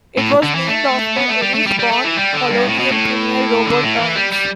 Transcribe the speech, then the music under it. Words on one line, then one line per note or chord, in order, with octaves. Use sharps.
It was named after Irish-born colonial premier Robert Torrens.
A2
D3
E3
A3
B3
A3
G3
A3
G3
G3
A3
E3
G3
D3
G2
A2
B2
A2
D3
A2
E3
G3
G3